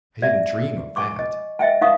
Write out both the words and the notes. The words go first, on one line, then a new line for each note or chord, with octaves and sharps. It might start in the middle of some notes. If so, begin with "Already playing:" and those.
I didn't dream of that.
D5 E5
G#5 C#6 D6
D#5
D#5 E5 G5 G#5
D#4 E5 F5 C#6 D#6